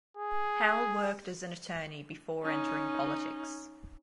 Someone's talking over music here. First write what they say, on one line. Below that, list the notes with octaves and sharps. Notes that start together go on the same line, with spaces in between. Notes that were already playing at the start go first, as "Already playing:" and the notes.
Howell worked as an attorney before entering politics.
G#4
C#4 D#4